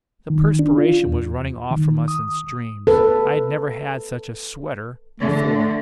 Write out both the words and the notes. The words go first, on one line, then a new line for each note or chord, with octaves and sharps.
The perspiration was running off from us in streams--I had never had such a "sweater" before!
D#3
D4
F4
E2
D#3
D#6
A4 B4
D3 A3